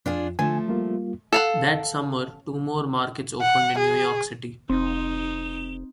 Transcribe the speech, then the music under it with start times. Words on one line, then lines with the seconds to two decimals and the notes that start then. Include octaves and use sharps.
That summer, two more markets opened in New York City.
0.06 F2 D4 F4 G#4
0.39 D3 F3 A3 G#5
0.68 G3 A#3 F4
1.33 A4 F5 F#5
3.41 F#5
3.78 G#4
4.69 F1 C4 D#4